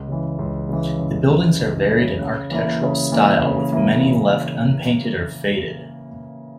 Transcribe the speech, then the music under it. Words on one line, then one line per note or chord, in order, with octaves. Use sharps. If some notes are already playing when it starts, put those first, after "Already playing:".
The buildings are varied in architectural style with many left unpainted or faded.
Already playing: C#2
C#3 E3
C#2
C#3 E3
C#2
C#3 E3
C#2
C#3 E3
C#3
E3 A#3 E4
C#3
E3 A#3 E4
C#3
E3 A#3 E4
C#3